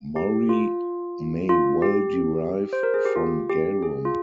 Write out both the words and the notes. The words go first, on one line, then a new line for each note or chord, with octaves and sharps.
Murri may well derive from garum.
G4
F4
F4
G4
C5
A#4
G#4
G4
F4
G4
G#4
F4